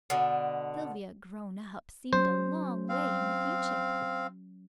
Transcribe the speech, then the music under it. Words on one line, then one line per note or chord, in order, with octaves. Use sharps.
Sylvia "grown up" seemed a long way in the future.
B2 D3
F#3 C#4 C5
C4 F5